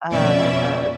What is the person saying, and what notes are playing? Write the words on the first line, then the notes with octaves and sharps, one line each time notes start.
a a
F2 B2 C#4 D5 E5